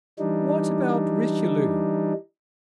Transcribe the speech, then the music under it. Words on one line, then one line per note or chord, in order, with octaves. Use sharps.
"What about Richelieu?"
E3 G3 D4 D#4